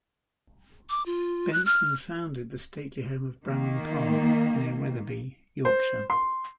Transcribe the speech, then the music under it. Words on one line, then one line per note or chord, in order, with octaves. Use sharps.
Benson founded the stately home of Bramham Park, near Wetherby, Yorkshire.
D6
F4
F#6
F6
D#3 A#3
C5
C6